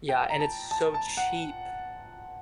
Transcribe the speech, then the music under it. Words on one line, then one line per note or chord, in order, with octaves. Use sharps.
Yeah, and it's so cheap.
G5
A#5
A5
A5
A5
F#5